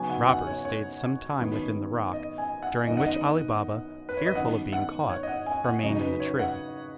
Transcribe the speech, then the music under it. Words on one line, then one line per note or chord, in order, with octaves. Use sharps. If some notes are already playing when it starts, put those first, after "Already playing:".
The robbers stayed some time within the rock, during which Ali Baba, fearful of being caught, remained in the tree.
Already playing: C#3 F#3 B3 D#4 G#5
F#5
F#5
C#5
C#5
F#2 D#3 B3
D#5
G#5
F#5
F#2 D#3 B3 D#4 D#5
F#5
D#5
B4
C#5
D#5
F#2 D#3 B3 F#5
F#5
C#5
D#5
F#5
G#5
F#5
C#3 F#3 D#4 D#5
B4
C#5
F#5